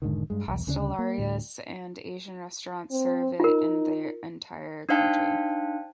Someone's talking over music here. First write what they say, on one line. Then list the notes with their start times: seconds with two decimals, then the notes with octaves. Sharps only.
"Pastelarias" and Asian restaurants serve it in the entire country.
0.02 E1 G#2 D3 D#3
0.30 G2 G#3
0.48 B1 E2
0.67 D2 C#3 G3 D4
0.99 A#3
1.18 D2 A2
2.91 C4
3.40 D#4 F4 A#4
4.89 D4 D#4 C5 F5 G5 A5